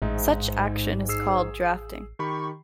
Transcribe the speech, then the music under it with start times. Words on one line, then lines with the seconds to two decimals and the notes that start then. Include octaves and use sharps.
Such action is called drafting.
0.02 A1 G#2 G#3 D#4 E5
1.09 G#4 E6 C7
2.19 D#3 G4 B5 C#6